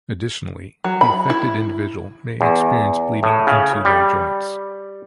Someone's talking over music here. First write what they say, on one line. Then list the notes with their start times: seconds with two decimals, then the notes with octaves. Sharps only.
Additionally, the affected individual may experience bleeding into their joints.
0.84 F#3
1.01 B5
1.30 E4
2.41 E2
3.23 A2
3.47 C#3
3.85 G3